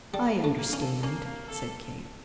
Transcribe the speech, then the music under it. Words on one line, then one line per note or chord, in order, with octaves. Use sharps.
"I understand," said Kate.
G3 A4
D4
A3
A#3
C#4
A4
A#3 C#4
A#3
A4